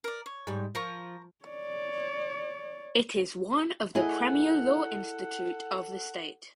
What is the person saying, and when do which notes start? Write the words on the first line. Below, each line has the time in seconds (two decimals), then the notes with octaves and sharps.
It is one of the premier law institute of the state.
0.04 A#4 D5
0.26 C#5
0.47 G#2 G3
0.75 F3 A#4 A#5 C#6
1.45 C#5 D5
3.95 E4 G#4 A4 D#5 F#5